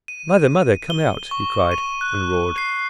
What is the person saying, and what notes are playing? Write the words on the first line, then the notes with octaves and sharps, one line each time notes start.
"Mother! mother! come out," he cried and roared.
D#7
G7
C#6
D#7
F#6
C7